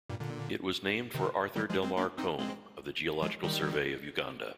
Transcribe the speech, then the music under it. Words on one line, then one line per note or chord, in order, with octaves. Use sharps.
It was named for Arthur Delmar Combe of the Geological Survey of Uganda.
G2 A#2
A#2 D3
C3 D#3
D#3 G3
F3 G#3
G#3 C4
A#3 D4
C4 D#4
G#3 C4
F3 G#3
D#3 G3